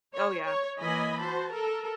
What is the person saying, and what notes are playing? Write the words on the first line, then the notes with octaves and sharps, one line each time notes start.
Oh, yeah.
C#5
C#5
E3 A#3 D#5 G#5 B5
F#4 C5 A5
A4 A#4